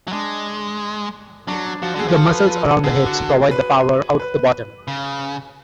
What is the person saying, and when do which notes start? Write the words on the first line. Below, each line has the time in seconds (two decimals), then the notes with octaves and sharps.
The muscles around the hips provide the power out of the bottom.
0.08 F#3
0.13 G#3 D4
1.48 F#3 D4
1.66 D4
1.82 F3 F#4
1.95 D3 G#4
2.08 F3
2.16 A4
2.34 B4
2.50 B4
2.67 A4
2.84 D3 G#4
3.06 F#4
3.29 G#4
3.51 B4
4.20 B4
4.88 C#3